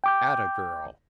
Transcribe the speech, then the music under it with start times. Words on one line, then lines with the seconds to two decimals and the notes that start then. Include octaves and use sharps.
Atta girl!
0.04 G5 D6 G6